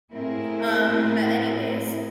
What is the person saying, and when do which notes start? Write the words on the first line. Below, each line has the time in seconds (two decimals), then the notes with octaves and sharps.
um, but, anyways
0.12 A2 A#3 C4 E4 G#4 A#4